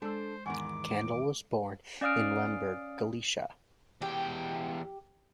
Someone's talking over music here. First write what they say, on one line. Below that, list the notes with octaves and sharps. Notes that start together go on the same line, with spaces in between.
Kandel was born in Lemberg, Galicia.
G#3 D4 A4 C5 E6
E2 G#2 D#3 F#5 G#5 D6
C#4 D5 F5 D#6 F6 D7
E2 G4 G5